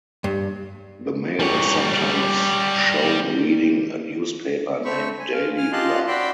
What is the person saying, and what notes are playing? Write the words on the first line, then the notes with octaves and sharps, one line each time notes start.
The male is sometimes shown reading a newspaper named "Daily Blah".
G2
G3 C#5
A3 C4 B5 C#6
G#5
F5
G#5 F6
F4 G4 D#5 A5 C6 F#6
F#4 D5 G5 B5 C6 E6